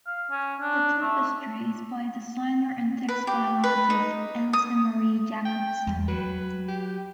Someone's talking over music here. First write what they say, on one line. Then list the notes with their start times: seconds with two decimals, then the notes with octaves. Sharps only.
The tapestry is by designer and textile artist, Else Marie Jakobsen.
0.06 F5
0.31 C#4
0.60 D4
1.01 A3
3.09 B4
3.27 G4
3.64 B4
3.90 D#4
4.53 D#6
5.46 G5
5.87 E2
6.08 F#3 B4
6.68 G4